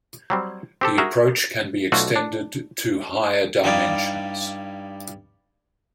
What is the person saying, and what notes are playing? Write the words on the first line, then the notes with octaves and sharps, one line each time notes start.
The approach can be extended to higher dimensions.
F#3 G3 C4
C4 G4 A4
F#4 G#4 A#4 E5
B1 A3 F4 F#4 D5
D4
G2 G3 D#4 E4 D5 F5